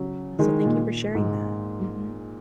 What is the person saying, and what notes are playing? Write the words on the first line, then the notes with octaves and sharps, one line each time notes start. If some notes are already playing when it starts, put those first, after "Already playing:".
Uh, so thank you for sharing that, mhm.
Already playing: C#3 F#3
D#3 G#3
A#2
G#2